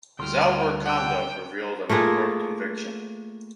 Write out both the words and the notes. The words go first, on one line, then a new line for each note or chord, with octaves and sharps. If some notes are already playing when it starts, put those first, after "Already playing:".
His outward conduct revealed an inward conviction.
D2 C#3 G3 A4 G5 C6 F6
F#5 G5 E6
A3 A#3 F4 G#4